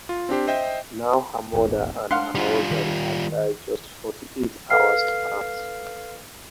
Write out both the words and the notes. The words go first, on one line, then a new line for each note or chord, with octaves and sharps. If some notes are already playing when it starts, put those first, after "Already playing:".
Now her mother and her husband had died just forty-eight hours apart.
F4
C4 D4 G4 C5
C5 D#5 E5 G5
D#1 G#1 E2
D4 F5 F#5 C6
G3 F4
D#3
A4 B4 F5 F6 C7